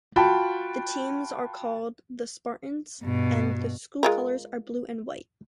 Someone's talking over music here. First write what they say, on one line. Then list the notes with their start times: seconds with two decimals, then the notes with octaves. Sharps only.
The teams are called the Spartans, and the school colors are blue and white.
0.16 F4 F#4 G5 A5 B5
3.02 G2 B2
4.03 G#3 F4 A#4